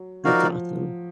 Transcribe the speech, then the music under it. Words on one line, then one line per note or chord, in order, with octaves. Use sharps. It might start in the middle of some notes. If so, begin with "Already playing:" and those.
That's awesome.
Already playing: F#3
F3 D#4 F#4 A#4 D5 F5